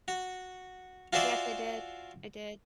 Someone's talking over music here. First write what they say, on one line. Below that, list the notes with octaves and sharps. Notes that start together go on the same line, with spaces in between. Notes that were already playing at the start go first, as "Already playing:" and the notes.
Yes, I did. I did.
F#4
F4 F#4 G#4 C5 D5 E5